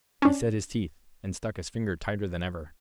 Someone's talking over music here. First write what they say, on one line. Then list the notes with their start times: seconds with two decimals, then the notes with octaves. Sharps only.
He set his teeth, and stuck his finger tighter than ever.
0.22 C#4 D4